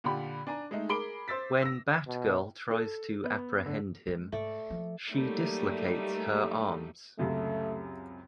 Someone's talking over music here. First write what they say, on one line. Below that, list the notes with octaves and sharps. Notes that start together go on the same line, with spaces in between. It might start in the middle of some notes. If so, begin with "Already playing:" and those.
When Batgirl tries to apprehend him, she dislocates her arms.
A#2 D3 G4 B5
D4 G#5 A#5
G#3 A3 D#4
G#4 A#4 B5 D6 D7 G7
C5 E6 A6 B6
E6 A#6
B2
A4
B3
D3
G#3
G#2 A3 D5
F3
F#3 G3 A3 A#3 D#4
C#2 F#2 C3 A3